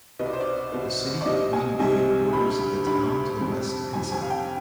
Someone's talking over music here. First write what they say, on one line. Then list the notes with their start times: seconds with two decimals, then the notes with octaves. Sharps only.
The city of Green Bay borders the town to the west and south.
0.19 C2 B2 B3 D#5
0.26 D5
0.33 C5
0.40 D5
0.72 C2 B2 B3
1.21 D5
1.25 C2 C3 G3 C4 D#5
1.53 G#5
1.79 C2 C3 G3 C4 G#5
2.33 D2 D3 G3 B5
2.86 D2 D3 G3 B5
3.41 F2 C3 G3 C4
3.93 F2 C3 G3 C4 G#5
4.12 G#5
4.22 F5
4.30 G5